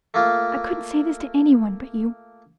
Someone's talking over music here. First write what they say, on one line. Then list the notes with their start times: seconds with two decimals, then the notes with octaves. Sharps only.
I couldn't say this to any one but you.
0.14 A3 A#3 F4